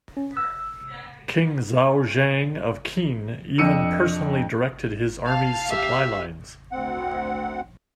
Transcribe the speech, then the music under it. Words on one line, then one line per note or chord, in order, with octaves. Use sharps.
King Zhaoxiang of Qin even personally directed his army's supply lines.
C#4
E6
F2 D4 D#5 E6 C#7 D#7
F5 A5
G4 E5
D2 C4 F#5